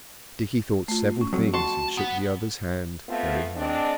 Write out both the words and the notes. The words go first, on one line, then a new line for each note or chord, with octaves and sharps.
Dickie thought several things and shook the other's hand very hard.
A3 F4
C#4
F2 F#3
F#4 A5 C6
B3
A3 B3 C4 F4
G#3 C4 D4